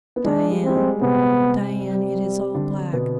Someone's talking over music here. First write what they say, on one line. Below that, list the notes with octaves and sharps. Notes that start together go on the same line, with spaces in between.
Diane, Diane, it is all black.
B3
G#3 D4
G3
G3 C4
G#3
C3 B3 C4
G3
D3 D4
B2 B3